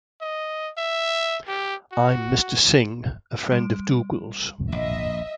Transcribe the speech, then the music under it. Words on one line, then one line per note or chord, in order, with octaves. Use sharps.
I'm Mr. Singh, a friend of Dougal's.
D#5
E5
G4
F#4
G3 D7
A#1 D#5 E5